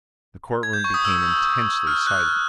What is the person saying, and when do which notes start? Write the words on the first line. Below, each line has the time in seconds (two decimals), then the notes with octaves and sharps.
The courtroom became intensely silent.
0.63 G#6
0.73 G6
0.84 C#6
0.94 D#6
1.05 E6
1.87 F6
2.07 F#6